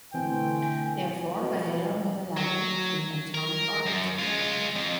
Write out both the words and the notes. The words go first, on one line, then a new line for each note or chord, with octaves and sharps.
They are formed by head-on overlapping between atomic orbitals.
B2 D3 E3 A3 C4 G5 G#5
B2
F#3
A#4
F#2
G#3 F4
F2